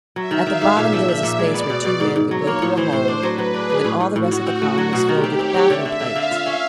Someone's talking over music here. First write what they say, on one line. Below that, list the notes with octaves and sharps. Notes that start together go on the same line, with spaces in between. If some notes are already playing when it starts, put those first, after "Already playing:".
At the bottom there was a space where two men could go through a hole; and then all the rest of the column was filled with baffle plates.
F#3 E5
D#3
D#3 F5
G#2
A#2 E5
F3
F3
A#2
G#3 D5
B3
B2
B2
G#2
G#2
F#3 C#5
A#3
A2 C5
E3
A2 C5
D4
F#3 B4
F#3
D4 G#4
D4
A2
A2
A2 F#4
A2
C4
A3
F#3
B2
D#3 G4
C4
C4 C#5
C4
D3 E5
D3
D3 F5
D3
F4
C#4